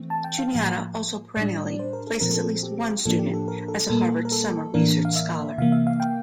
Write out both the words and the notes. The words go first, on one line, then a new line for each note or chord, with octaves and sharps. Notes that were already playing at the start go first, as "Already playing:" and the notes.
Juniata also perennially places at least one student as a Harvard Summer Research Scholar.
Already playing: E3 A3 C4
A5
G5
F5
A2 F3 A#3
A2 G3 D4 D5
C5
A#4
A4
A#2 F3 C4 A#4
A4
G4
A2 F3 A#3 D4 A4
G4
A4
A#4
A4
A#2 G3 A#3 A4
A#4
A4
A2 E3 A#3 D4 A#4
F5
E5
C3 E3 A#3 F5
E5
F5
G5